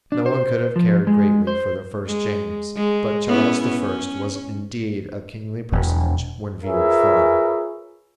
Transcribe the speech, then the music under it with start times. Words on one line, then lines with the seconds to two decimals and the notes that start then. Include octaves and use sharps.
No one could have cared greatly for the first James, but Charles I. was indeed a kingly personage when viewed afar.
0.12 D4
0.26 C5
0.76 F3
1.07 G#3
1.47 C5
2.06 G#3
2.76 G#3
3.27 B3 C#4 E4
3.79 C#4
5.72 E1
6.64 F4 G#4 A#4 B4 C#5 E5